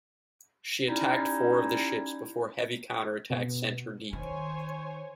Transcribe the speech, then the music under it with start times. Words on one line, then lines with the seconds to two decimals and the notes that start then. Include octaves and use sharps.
She attacked four of the ships before heavy counter-attack sent her deep.
0.88 G3 C#4 D#4 E4
3.30 B2
4.13 D#3 C5 C#5 G#5